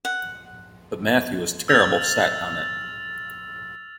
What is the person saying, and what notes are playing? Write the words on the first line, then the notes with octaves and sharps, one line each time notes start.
But Matthew was terrible set on it.
F#5
E6 F6 A6 F7